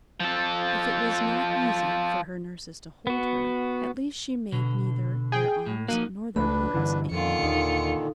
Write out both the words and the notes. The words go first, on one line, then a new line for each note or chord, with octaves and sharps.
If it was not easy for her nurses to hold her, at least she made neither their arms nor their hearts ache.
F3 A4
B3 F#4
B2 D3
G#4 G5
A2
F3 A#3 D#4 F#4
C#2 A3 D4 B4 B5
G2 D3 E3
F2 A#2 D3 D#3 C#4 F4 A4 C#7
D#2 D#4 A4